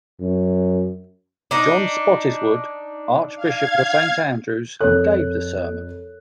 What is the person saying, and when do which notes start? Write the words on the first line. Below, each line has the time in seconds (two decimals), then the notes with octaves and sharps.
John Spottiswoode, Archbishop of Saint Andrews gave the sermon.
0.20 F#2
1.51 D4 D#4
3.35 F5 G#6
4.81 F2 A4 A#4 C#5 F#6